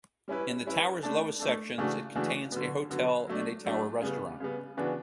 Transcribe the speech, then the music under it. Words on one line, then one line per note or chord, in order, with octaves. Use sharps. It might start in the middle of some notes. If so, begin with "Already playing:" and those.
In the Tower's lowest sections it contains a hotel and a tower restaurant.
G3 C#4 E4 B4
G3 C#4 E4 B4
A3 D4 A4
A3 D4 A4
C#3 E3 A3 D4 F#4
C#3 E3 A3 D4 F#4
D3 F#3 B3
D3 F#3 B3
F#3 A3 D4
F#3 A3 D4
C#3 G3 B3
C#3 G3 B3
C#3 E3 B3 D4 F#4